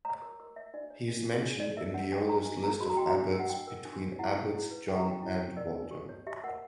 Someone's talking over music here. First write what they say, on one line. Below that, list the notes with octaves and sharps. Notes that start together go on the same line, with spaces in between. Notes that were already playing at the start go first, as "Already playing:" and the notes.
He is mentioned in the oldest list of abbots between Abbots John and Waldo.
C#5 A#5
A#4 D6
A#4 D6
C#5 E5
D4 D5
C#5
D4
D4
D4 C#5
C#5 D5
A#4 E5
C#5 F#5
D4 G5
D4 A#5
D4
A#4 A#5
F#4 B5
A#5
F#4 G5
A#5
D4
A#4
F#5
D4 G5
A#4
D4
D4
E4 F#5
C#4
E4
B4
E4 G5
A#5
C#4
G5
E4
C#4
A#4 D5
D4
G4
C#5
G4 E5
A#4 F#5